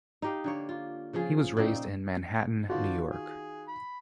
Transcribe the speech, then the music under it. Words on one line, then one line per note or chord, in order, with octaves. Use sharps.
He was raised in Manhattan, New York.
D#4 G4 F5
D3 A#3 C#5
F4
C#3 F3 F4 G#4
A#2 C#3 C4 D#4
D#3 F4 F#4 C5 D5 A5
G#4
B5